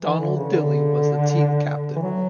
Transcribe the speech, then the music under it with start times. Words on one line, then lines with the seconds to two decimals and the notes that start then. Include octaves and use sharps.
Donald Dilly was the team captain.
0.02 E3
0.19 D3
0.36 C#3
0.52 D3
1.96 E3
2.02 F#3